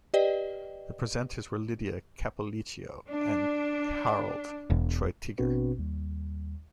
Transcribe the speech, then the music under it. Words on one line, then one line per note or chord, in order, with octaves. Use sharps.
The presenters were Lydia Cappolicchio and Harald Treutiger.
G4 B4 D5 D#5 G5
D4
E1
A1 B2 C4 D4 F#4 B4
D#2 G3